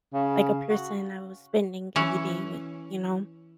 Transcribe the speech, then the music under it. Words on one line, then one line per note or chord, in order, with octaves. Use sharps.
like, a person I was spending every day with, you know?
C#3
F#4
E3 C#4